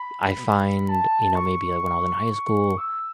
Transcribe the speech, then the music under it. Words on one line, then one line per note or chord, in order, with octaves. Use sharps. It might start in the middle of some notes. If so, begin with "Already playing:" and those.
I find you know, maybe, like, when I was in high school,
Already playing: B5
A5
C#6
C#6
E6